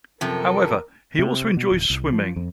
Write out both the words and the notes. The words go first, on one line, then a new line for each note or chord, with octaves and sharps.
However, he also enjoys swimming.
F#2 C3 F3 A4 A#4
C3
B2
D1
C2
F3
F2